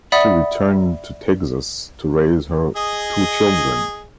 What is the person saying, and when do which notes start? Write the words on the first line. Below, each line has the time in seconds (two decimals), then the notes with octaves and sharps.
She returned to Texas to raise her two children.
0.12 D5 E5 F#5 B5 D#6
2.76 G#4 D#5